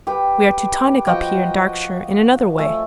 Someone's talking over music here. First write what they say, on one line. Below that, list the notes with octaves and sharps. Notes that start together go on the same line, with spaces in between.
We are Teutonic up here in Darkshire in another way.
G4 B4
F3 F#4 D#5 G5
A3 G#5